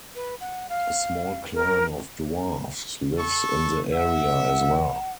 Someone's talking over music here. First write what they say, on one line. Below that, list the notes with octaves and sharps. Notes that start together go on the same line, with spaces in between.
A small clan of dwarves lives in the area as well.
B4
F#5
F5
A#4
A4 C#6
E5 F#5